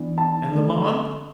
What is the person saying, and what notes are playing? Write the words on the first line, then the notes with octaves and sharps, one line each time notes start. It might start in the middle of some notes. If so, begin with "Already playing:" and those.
"And La Mon?"
Already playing: E3 B3 D4
A5
D3 A3 D4